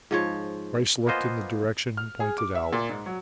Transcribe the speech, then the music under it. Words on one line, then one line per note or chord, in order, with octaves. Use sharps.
Bryce looked in the direction pointed out.
G#2 F3 C#5
A#3 B3 F4 C5 D#5 G#5
F6
G#4
D6
E5
A#2
G#2
F#3